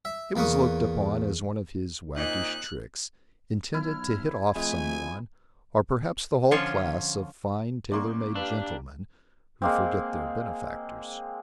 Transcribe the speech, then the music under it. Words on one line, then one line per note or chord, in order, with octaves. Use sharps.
It was looked upon as one of his waggish tricks, intended to hit off some one, or perhaps the whole class of fine tailor-made gentlemen who forget their benefactors.
E5
E2 A#3 B4 C#6 D#6
A#2 C4 D#4 F#6
B1 E4 F6
F2 G#3 A3 G#5
D3 F3 C#4 F4 C#5
F#2 A#3 D5 C6 C#6
D4 G4 B4 F5 E6
G#3 A#3 C4